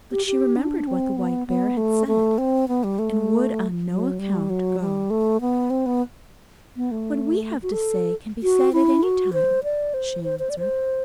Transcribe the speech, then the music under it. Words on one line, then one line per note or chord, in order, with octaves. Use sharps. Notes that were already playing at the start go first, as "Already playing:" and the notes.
But she remembered what the White Bear had said, and would on no account go. "What we have to say can be said at any time," she answered.
G4
G4
D4
C4
B3
B3
A3
A3
C4
B3
G3
A3
F#3
G3
F#3
G3
A3
B3
C4
B3
B3
A3
F#4
A4
F#4
E4
F#4
C5
D5
C5
C5
C5
D5
C5